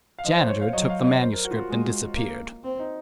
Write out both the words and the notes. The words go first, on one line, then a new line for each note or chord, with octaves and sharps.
The janitor took the manuscript and disappeared.
F5
F3 D#5
C5
C#5
F5
F#3 D#5
F5
D#5
C5
A#4
F#4
F4
F#4
G#3
A#3
C4
D#4